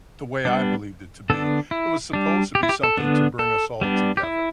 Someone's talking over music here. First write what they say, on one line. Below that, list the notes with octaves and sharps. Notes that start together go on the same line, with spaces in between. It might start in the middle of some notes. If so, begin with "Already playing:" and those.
the way I believed it to be, it was supposed to be something to bring us all together,
G3 B3 D4
D3 B3 D4 A4
E4
G3 D4
G4
E4
G4
A4
D3 B3 D4
A4
G3 B3 D4
G4
E4